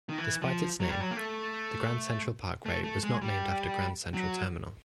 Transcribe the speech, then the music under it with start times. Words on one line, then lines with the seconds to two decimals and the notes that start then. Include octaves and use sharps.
Despite its name, the Grand Central Parkway was not named after Grand Central Terminal.
0.09 D#3
0.18 E3
0.42 F3
0.80 F#3
0.89 G3
1.00 F#3
1.11 A#3
1.17 A3
2.66 A3
2.84 A3
3.03 G#3
3.21 G3
4.14 F#3